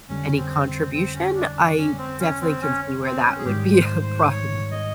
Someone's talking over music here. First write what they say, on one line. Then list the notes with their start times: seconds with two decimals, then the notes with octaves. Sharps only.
any contribution, I definitely can see where that would be a problem.
0.09 F2 D3 G3 C#4
0.37 C4
0.66 C4
0.94 C4
1.15 C#4
1.35 D4
1.56 D4
1.77 C#4
1.98 C4
2.20 C#4
2.41 C4
2.62 C#4
3.04 C4
3.25 C#4
3.38 G#4
3.45 G#2 D#3 G3 G4
3.73 C5
4.02 C5
4.30 C#5
4.71 D#5